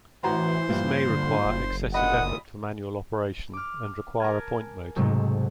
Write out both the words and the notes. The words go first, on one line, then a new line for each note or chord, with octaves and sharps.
This may require excessive effort for manual operation, and require a point motor.
A1 E3 F#4 C5 A#5 C6
G2 A#2 F3
D3
F#1
D2 A#2 D#5 F#5 B5 D#6
D6 F6
A#4 G#5 A5 F6 G#6
B1 G#2 C3 F#3 G#3 A3